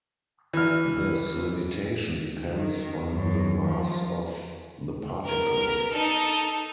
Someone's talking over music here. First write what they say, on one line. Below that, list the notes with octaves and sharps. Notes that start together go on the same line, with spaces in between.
This limitation depends on the mass of the particle.
E3 F6
D#3
F#2
F3
B3 A#4
D#4 A4